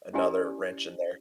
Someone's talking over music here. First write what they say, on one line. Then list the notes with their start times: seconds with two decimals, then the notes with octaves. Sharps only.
another wrench in there.
0.13 C#4 E4 G4 D5 G#5